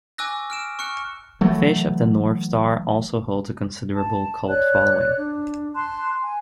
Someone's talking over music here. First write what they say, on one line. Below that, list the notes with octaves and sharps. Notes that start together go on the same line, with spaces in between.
"Fist of the North Star" also holds a considerable cult following.
G#5 C#6 D6 E6 F#6 A#6
F6 D7 E7
C#6 F6 F#6 C#7
E3 F#3 A3
A5
C#5 D5 F#6
D4
A5 C6 F#6
G#5